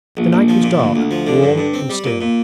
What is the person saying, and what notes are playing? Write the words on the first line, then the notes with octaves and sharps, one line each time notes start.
The night was dark, warm, and still.
A#1
A#1
F3
A#2
D2
D2
F3
D3
G2
G2
C4
G3
A#2
A#2